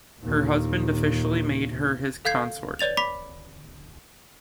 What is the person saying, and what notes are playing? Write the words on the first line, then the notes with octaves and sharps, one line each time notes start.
Her husband officially made her his consort.
D#2 A#2
A4 F5 G6 G#6 C7
B4 C#5 D5 A6 F7
B5 D6 B6